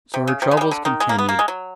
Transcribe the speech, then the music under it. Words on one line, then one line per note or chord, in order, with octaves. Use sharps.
So her troubles continued.
C3
C#3
C3
C#3
G#3
G3
D3
D#3
G#3
A#3
B3
A#3
G#3
F#3